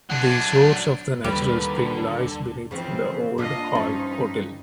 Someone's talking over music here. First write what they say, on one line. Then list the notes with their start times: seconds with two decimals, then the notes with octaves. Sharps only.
The source of the natural spring lies beneath the Old Hall Hotel.
0.10 F#3 D4
1.24 D#2 D3 G3 B4
2.71 C#3 E3 F3 C4
3.38 A#3 D4 F4 D#5
3.75 G2 F3 C#4 D#4 C#5